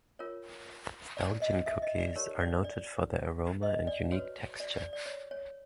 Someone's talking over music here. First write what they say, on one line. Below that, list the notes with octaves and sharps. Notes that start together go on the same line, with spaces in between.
Belgian cookies are noted for their aroma and unique texture.
F4 A#4 C#5
D5
D#5
E5
D#5
D5
D#4 G4 A#4 C#5
D5
D5
D#5
D5
F#4 B4 C#5
D5
D5
D5
C#5
C#5